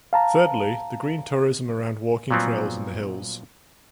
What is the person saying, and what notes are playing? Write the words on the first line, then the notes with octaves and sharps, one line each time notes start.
Thirdly, the green tourism around walking trails in the hills.
F5 A5 A#5
A#2 F3 F#3 B3 C4